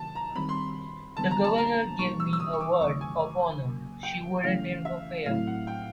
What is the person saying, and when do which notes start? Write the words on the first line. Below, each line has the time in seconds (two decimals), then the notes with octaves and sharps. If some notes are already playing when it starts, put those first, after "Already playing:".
The Governor gave me her word of honor she wouldn't interfere.
Already playing: C3 D#3 F#3 A#3 A5
0.15 A#5
0.35 D#3 G3 C4 B5
0.49 C6
1.17 D3 G3 B3 D4 A5
1.31 A#5
1.44 A5
1.58 A#5
1.98 B2 G3 A#3 D#4 C#6
2.20 E6
2.33 E6
2.40 D#6
2.53 C#6
2.61 D6
2.81 E2 C3 D#3 F#3 A3 C#6
3.01 G#5
3.62 C#3 F#3 A#3
4.03 G5
4.44 C#3 E3 A3 C#4 E4 F5
4.85 E5
5.26 A2 F#3 A3 C4 E4 F5
5.47 F#5
5.67 G5